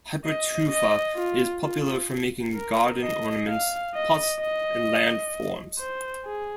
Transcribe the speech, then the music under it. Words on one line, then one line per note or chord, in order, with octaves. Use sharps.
Hypertufa is popular for making garden ornaments, pots and land forms.
D#5
D#5
F4
F4
A#4
D#5
F5
D#5
D#5
C5
G#4